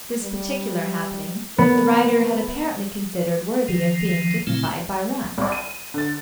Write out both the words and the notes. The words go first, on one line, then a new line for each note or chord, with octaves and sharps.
This particular happening the writer had apparently considered worthy of being dignified by rhyme.
G3
B3 A#4
D#3 F3
A#2 C#3 A3 C4 E4
C2 D5
D#7
D3 A6